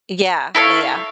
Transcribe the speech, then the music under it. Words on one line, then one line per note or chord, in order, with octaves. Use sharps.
Yeah, yeah, yeah.
E4 A4 C#5 F5